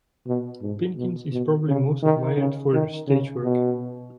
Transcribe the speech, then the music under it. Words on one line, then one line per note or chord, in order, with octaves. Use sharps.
Pinkins is probably most admired for her stage work.
B2
G#2
B2
B2
C#3
D#3
C#3
D#3
C#3
B2